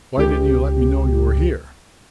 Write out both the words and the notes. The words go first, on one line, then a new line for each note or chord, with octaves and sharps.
Why didn't you let me know you were here?
C#2 G4